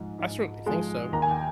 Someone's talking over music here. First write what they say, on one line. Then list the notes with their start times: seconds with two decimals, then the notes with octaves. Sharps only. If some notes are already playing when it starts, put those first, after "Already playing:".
I certainly think so.
Already playing: G#2 F3 G#3
0.19 G#2
0.66 F3 G#3
1.13 D#2 A#5
1.22 G#5
1.31 G5